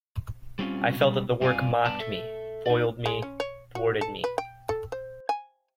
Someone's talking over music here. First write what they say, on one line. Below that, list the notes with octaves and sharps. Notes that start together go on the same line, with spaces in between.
I felt that the work mocked me, foiled me, thwarted me.
G3 C4 C#4 F4
B2 G3
G2 C4 F4 D5 F5 G#5
G2 B3 D5 A5
A4 E5
D#4 D5
G#3
C#4
C#5
F#4
A4
B4
G5
A4
C5
G#5